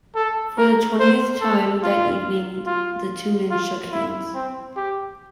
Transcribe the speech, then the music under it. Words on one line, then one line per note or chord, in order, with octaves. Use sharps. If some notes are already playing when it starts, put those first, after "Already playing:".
For the twentieth time that evening the two men shook hands.
A4
A#4
C5
A4
F4
F4
F4
E4
C4
G4